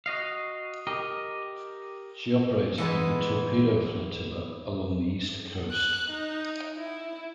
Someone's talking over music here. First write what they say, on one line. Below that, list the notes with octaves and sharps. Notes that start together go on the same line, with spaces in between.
She operated with the Torpedo Flotilla along the east coast.
F#4 D#5 F5
G4 A#4 D#5
E3 G#3 B3 D#4
F#6
D#4
E4